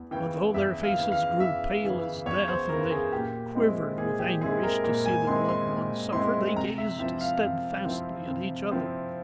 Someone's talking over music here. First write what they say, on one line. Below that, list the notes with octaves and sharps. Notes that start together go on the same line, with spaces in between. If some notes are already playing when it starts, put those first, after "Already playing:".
But though their faces grew pale as death, and they quivered with anguish to see their loved one suffer, they gazed steadfastly at each other.
Already playing: E2
C#3 E3 G5
E2 E5
F5
C#3 E3
F5
E2 E5
C#3 E3
E2 C#5
C5
C#3 E3 A#4
G#4
A#2 G4
G#3 C4 E4
A#2 G#4
G4
G#3 C4 E4 G#4
A#4
A#2 A#4
G#5
G#3 C4 E4 C6
C6
A#2
G#3 C4 E4 C6
C3 A#5
E5
F3 C4 E4 E5
F5
C3
F3 C4 E4
C3
F3 C4 E4